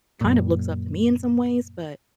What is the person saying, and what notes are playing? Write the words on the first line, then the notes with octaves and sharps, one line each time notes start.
kind of looks up to me in some ways, but
F#2 A#2